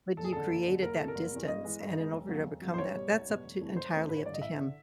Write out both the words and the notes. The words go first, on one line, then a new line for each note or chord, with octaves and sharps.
But you created that distance and in over to become that that's up to entirely up to him.
F#1 A4
G#4
F2 D3 A4
F#1
F2 D3
F#1 A#4
E2 C3 A4
A#4
F#1
E2 C3
G2 D#5
E3 G#3 B3
G2
E3 G#3 B3
E1
D#2 C#3 F#3
E1
D#2 C#3 F#3
C5
C2 C#5
B2 G3
C2
B2 G3
F1
E2 C3 E3 A3
F1 C5
E2 C3 E3 A3
A1 B4
C#5
G2 D3 D5
D#5
A1 E5
D3